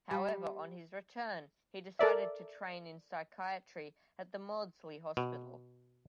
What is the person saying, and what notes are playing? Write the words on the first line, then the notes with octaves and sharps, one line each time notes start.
However, on his return he decided to train in psychiatry at the Maudsley Hospital.
G3
A4 A#4 D5 E5
B2